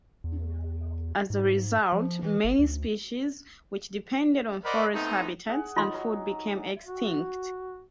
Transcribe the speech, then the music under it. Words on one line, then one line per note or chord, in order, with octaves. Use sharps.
As a result, many species which depended on forest habitats and food became extinct.
E2
G#2
F3
E3
G1
D2
A#4 C5 D5 D#5 F#5 B5
A3 B3 C4 D#4
G#4 F#5 G#5
D#4 F4 C6
F#3
F#4